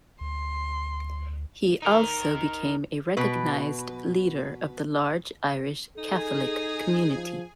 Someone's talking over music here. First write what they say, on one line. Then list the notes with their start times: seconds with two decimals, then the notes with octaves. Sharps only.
He also became a recognised leader of the large Irish Catholic community.
0.21 D2 C6
1.82 D#4 A#4
3.17 B2 B4
5.98 D#4 G#4 A4 G#5
7.14 F3